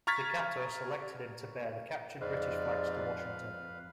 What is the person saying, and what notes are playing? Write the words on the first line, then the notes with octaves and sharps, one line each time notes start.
Decatur selected him to bear the captured British flags to Washington.
A#5 C#6 F6 G#6 A6 B6
F2 G#2 B4 D5 F5